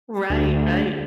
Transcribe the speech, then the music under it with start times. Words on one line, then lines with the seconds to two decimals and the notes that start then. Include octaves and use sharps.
Right, right.
0.30 D2